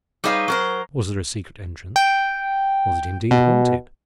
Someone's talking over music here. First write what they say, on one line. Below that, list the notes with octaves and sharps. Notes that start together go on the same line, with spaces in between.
Was there a secret entrance? Was it, indeed, haunted?
G3 D#4 G#4 B4 C#5 F5
F#3 A#4 C5
G5
B2